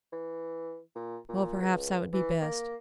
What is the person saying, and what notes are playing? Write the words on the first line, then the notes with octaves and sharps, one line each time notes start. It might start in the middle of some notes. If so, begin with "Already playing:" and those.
Well, perhaps that would be best.
E3
A#2
A#2
C#2
E3
A#3